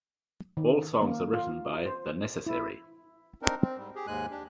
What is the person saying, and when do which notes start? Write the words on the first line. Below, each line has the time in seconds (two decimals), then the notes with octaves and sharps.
All songs are written by The Necessary.
0.57 D#3
1.02 A#3
1.33 F4
1.86 C5
2.46 E4
3.42 C4 D4 D#4 A#4
3.61 C4
3.77 G#2 G3
3.95 G4 G#4
4.07 D#2 G#2 G#3 G#5 F#6
4.31 D4 G4